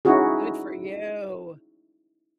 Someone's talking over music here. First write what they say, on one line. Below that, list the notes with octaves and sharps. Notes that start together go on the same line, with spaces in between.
Good for you.
C#4 D#4 E4 F#4 G#4